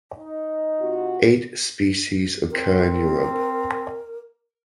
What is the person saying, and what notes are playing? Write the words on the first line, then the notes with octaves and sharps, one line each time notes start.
Eight species occur in Europe.
D#4
C3 F4 F#4
C4 A#4